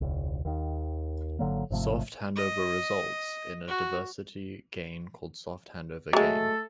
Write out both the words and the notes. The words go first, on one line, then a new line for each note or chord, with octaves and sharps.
Soft handover results in a diversity gain called soft handover gain.
E1 C#2
D#2 D#3
G#1 D3 F#3 A#3
G#1 C3 F3 A3
D#5
F#4
F#3 G#3 A3 A4